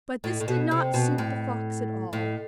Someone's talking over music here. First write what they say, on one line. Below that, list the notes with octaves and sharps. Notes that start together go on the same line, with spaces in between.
But this did not suit the fox at all.
A2
A2
B2
C3
B2
A2
A2